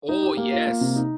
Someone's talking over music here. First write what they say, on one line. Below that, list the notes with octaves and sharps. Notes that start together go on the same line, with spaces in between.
Oh, yes.
D#4
G4
A#3
F4
A#3
C3
D#4